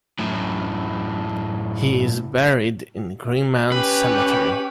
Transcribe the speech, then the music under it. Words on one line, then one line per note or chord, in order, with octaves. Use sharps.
He is buried in Greenmount Cemetery.
F#2 A2
C#4 G4 B4